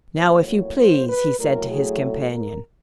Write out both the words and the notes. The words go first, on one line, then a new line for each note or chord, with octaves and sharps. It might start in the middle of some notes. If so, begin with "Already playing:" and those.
"Now if you please," he said to his companion.
A2 F#3 A#3 C5
C#5
C5
B4
A2 F#3 A3 A#4
G#4
A4
A#4